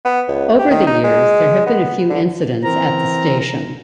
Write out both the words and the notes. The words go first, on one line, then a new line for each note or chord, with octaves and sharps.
Over the years, there have been a few incidents at the station.
B3
C#2
G4
D#3
D#4
G#3
B3
D3
E3 C4 A#4 A#5